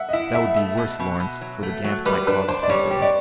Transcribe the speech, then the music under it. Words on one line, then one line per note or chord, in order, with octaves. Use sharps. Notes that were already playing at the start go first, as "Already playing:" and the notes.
"That would be worse, Lawrence, for the damp might cause a plethora."
Already playing: E5 F#5
D#5
E4 E5
A3 E5
A3 E5
B2
B2
B2
F#3
A3
F#3
G3 B4
D4 B4
D4 C5
D5
G3 C#5
G4
D5